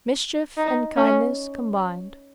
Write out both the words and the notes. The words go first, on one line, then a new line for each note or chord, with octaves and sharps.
Mischief and kindness combined.
D#4
C#4